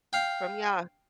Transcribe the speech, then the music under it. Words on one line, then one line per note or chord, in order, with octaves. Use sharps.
from y'all
F5 G5